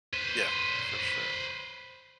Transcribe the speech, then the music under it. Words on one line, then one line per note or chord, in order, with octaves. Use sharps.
Yeah. For sure.
B4 C5